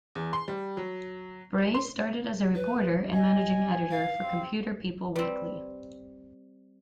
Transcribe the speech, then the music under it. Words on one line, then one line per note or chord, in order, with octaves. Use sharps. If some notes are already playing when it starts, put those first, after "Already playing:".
Bray started as a reporter and managing editor for "Computerpeople Weekly".
E2
C6
G3
F#3
C6
B4
D#5 G#5
F5
C4
G3 C4 B4